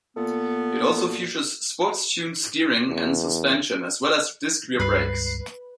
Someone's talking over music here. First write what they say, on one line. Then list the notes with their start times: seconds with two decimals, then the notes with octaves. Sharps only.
It also features sports tuned steering and suspension as well as disc rear brakes.
0.17 A#2 B3 A4
2.89 E2
4.80 C#2 G2 B4 C7